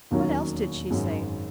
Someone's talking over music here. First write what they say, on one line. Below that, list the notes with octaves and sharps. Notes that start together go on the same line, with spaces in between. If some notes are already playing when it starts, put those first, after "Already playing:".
"What else did she say?"
E1 D#2 D#3 F#3 C#4
G#1 F#2 D#3 G#3 C#4